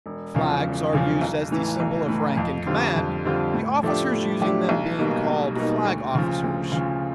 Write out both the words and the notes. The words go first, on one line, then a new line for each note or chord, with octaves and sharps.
Flags are used as the symbol of rank and command, the officers using them being called flag officers.
E1
E2 C#3 F3
E1
E2 C#3 F3
B1
A2 E3
B1
A2 E3
F2
D3 G3 C4 F4
F2
D3 G3 C4 F4
A2
F3 A3 D4 G4
A2
F3 A3 D4 G4
B1
B2 G3 A#3 D#4
B1
B2 G3 A#3 D#4
D2
C#3 F3
D2
C#3 F3